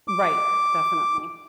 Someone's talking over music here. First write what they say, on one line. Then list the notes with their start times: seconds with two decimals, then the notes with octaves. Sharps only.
Right. Definitely.
0.08 D6